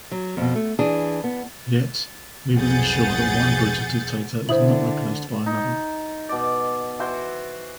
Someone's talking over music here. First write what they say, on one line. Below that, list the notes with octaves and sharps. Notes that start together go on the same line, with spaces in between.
Yet, we will ensure that one brutal dictator is not replaced by another.
F#3
F2 B2
A3
E3 D4 G#4
B3
B1 F2 G#4 F#5 G6 A6
D3 E4 C5 D#6 F#7
D#4
B2 D5
E3 E4 F#4 C5